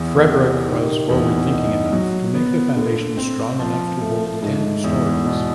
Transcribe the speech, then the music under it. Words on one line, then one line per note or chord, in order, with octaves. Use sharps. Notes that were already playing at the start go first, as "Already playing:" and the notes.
Frederick was forward-thinking enough to make the foundation strong enough to hold ten stories.
Already playing: E2
C3
D#3
E2
D#4
F#3
B3
D3
C4
F3
A3
G#2
E2
B2